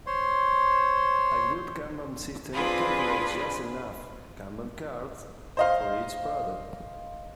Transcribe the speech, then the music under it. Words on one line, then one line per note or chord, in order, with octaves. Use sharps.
A good kanban system calculates just enough kanban cards for each product.
C5 C#5 C6
C4 D4 F4 G#4 B4 B5
C5 D#5 F5